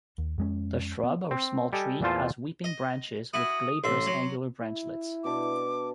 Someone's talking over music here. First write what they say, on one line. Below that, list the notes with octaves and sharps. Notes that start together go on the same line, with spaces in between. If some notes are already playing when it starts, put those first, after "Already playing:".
The shrub or small tree has weeping branches with glabrous angular branchlets.
D#2
F2 G#3 C#4
B3
C4
G3 G4 A4 D#5 G5 G#5
E2 A#2 A3 F4 C5 A5
D#5
E4 F#4 D#6
A1 E5 C6
F#3
E4
B2 D4 D6